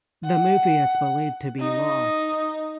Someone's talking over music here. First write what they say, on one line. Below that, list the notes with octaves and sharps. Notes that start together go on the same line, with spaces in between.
The movie is believed to be lost.
F#5
D#4